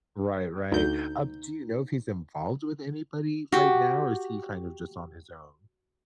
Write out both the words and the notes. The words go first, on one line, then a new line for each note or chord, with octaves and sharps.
Right, right. Um, do you know if he's involved with anybody right now or is he kind of just on his own?
D2 D#4 G6
F#4 G4